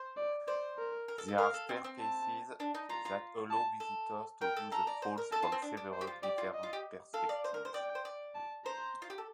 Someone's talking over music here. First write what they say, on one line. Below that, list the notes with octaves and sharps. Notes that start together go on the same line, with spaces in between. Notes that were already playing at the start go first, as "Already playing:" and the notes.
There are staircases that allow visitors to view the falls from several different perspectives.
Already playing: C5
D5
C5 D5
A#4
A#4
A4
A4
A#4 F5
A4
C4
C4
A5
D4
D#4
F4 A#5
F4
A5
A4
A#4 G5
A4
A4 A#5
D5
C5
A#4
A4 A5
F4
C4
D4
D4
C5
G4
F4
G4 D5
F4
D#5
F4
G4
A4 F5
D5
C5
A#4
C5
D5 G5
C5
D5
A5
C5 A#5
F4
G4
A4